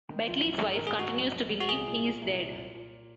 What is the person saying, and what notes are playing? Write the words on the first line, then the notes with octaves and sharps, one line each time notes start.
Beckley's wife continues to believe he is dead.
D#3
A#1 F4
A#1
G#2
A#4
D#3
G#4
G#2 F#4
A#1
A#1
A#1
F#4
C2 G#4
A#2
A#2
C2
A#2
A#2
A#2